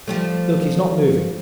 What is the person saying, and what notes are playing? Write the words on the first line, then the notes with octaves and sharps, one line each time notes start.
'Look, he's not moving.
F3 G3 A3